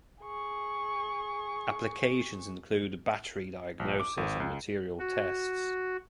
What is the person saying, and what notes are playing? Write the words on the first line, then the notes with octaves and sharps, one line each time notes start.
Applications include battery diagnosis and material tests.
G#4 C#6
A#1
D6
G#1
C#2
F#4